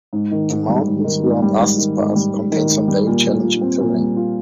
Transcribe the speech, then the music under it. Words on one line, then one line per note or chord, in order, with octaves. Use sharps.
The mountains around Arthur's Pass contain some very challenging terrain.
G#2
D#3
G#2
G3
G#2
D#3
G#2
G3
G#2
D#3
G#2
G3
G#2
D#3
G#2
G3
A#2
G3
F4
C4
A#2
G3
F4